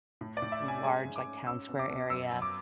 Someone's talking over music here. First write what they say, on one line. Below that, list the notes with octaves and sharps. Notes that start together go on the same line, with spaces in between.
large, like, town square area
A2
D5
A2
E5
C#4
G#5
G#3 G#5
G#2
D6
C#4
C#4 E6
B2
D6
B2
F#2 E6
F#2
D6